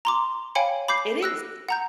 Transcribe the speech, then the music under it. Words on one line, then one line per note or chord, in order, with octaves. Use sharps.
it is.
A#5 C6 D6
C#5 F5 G5 G#5 B5 C#7
B5 D6 G6 C7
E6 F#6 A#6
F#5 A#5 G6